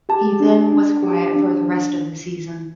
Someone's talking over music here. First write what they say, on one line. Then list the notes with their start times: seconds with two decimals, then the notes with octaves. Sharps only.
He then was quiet for the rest of the season.
0.09 G4 A5
0.40 D4
0.72 D4
1.03 G4
1.34 D4